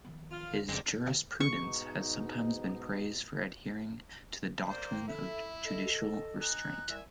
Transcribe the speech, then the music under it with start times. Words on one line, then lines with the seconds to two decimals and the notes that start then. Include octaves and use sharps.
His jurisprudence has sometimes been praised for adhering to the doctrine of judicial restraint.
0.05 D#3 F3 B3
0.31 F4
0.51 D2
0.69 G1 C2 C3 G#3 C4 D4
1.40 G#2 B2 D#4 C#6
4.69 A#3 C5 D5
4.91 D#3
5.07 E4 A4 E5
5.65 A4 D#5
6.40 D#4 G#5 F#6
6.88 C2 E5 G#5